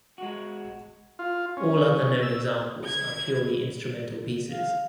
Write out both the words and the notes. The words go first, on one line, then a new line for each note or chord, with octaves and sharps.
All other known examples are purely instrumental pieces.
G#3 F#4
F4
C#4
E6
G#6
F5